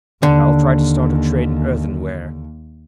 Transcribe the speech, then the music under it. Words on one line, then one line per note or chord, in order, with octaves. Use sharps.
But I will try to start a trade in earthenware.
D#2 D3